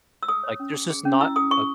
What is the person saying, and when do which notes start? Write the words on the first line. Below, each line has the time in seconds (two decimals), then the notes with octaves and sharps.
Like there's just not a
0.23 E6
0.28 G#4 D#6
0.43 C#5
0.60 C#4
0.74 G#4
0.90 G#4
1.05 C#4
1.20 E4 E6
1.36 G#4 D#6
1.51 G#4 C#6